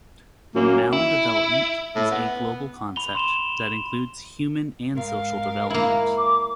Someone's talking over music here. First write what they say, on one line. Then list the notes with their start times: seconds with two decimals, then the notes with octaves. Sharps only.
Maldevelopment is a global concept that includes human and social development.
0.55 F#2 A#3
0.93 E4
1.96 A2
2.11 B3
2.96 B5 F7 G7
3.15 C6 E7 G7
4.92 G#2 A#4 F5
5.70 A#3 E4
6.17 D6